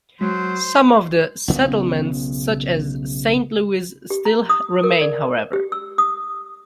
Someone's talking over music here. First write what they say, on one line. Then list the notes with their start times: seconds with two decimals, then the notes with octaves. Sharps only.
Some of the settlements, such as Saint Louis still remain however.
0.21 F#3 G#3 C5
1.48 B1 C#3 B3
4.10 G4
4.25 A#5
4.49 D#6
4.83 A#4
5.01 D5
5.53 G4
5.72 E6
5.98 D#6